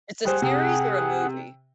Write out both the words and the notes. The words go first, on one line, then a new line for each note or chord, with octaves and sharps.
It's a series or a movie?
G3 G#4 C5 F#5
C3